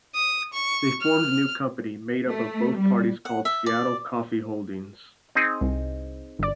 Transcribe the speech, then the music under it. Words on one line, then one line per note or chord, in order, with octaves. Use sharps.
They formed a new company made up of both parties called Seattle Coffee Holdings.
D#6
C#6
F6
A3
G3
F#5
E5
D5
C4 D#4 G#4
C2
G1 D5